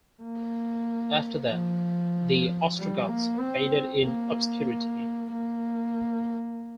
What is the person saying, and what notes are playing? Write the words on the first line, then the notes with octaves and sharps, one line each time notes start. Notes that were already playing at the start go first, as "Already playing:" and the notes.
After that, the Ostrogoths faded in obscurity.
A#3
F3
G3
A#3
C4
A#3
A#3